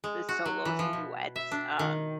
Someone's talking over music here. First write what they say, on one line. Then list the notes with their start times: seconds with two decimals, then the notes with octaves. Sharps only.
the solos and duets. Um,
0.04 G#3
0.29 F#4
0.45 F#3
0.65 E3
0.79 F3
0.93 B2
1.36 E5
1.51 D4
1.79 D#3